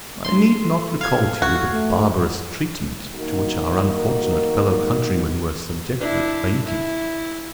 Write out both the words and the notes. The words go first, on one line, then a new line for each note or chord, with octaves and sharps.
I need not recall to you the barbarous treatment to which our unfortunate fellow countrymen were subjected at Haiti.
G#3 A3 D4 C6
A4
F5 G#6
F#4
A3
D#3 A#3 D#4 F#4 A#4
D4 E4
E4